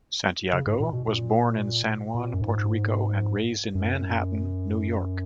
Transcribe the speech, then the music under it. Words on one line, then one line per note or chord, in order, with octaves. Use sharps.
Santiago was born in San Juan, Puerto Rico and raised in Manhattan, New York.
C#3
G#2
A#2
B2
A#2
A#2
F#2
G#2
F#2